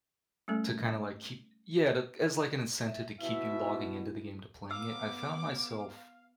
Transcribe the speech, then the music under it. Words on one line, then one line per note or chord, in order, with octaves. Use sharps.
to, kinda, like, keep yeah, to as, like, an incentive to keep you logging into the game to playing it. I've found myself,
G3 A3 C#4 A4
E5
B2 E4 E5
B3 F5 D6 E6